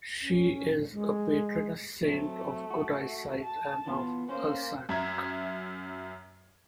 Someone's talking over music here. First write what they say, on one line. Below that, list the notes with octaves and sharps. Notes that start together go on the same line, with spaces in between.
She is a patroness saint of good eyesight, and of Alsace.
C#4
G#3
F#3 A3 C4
F#4
A5
E3 B3 F4
A#3 C#4 C5
F#2 E5 A#5 G#6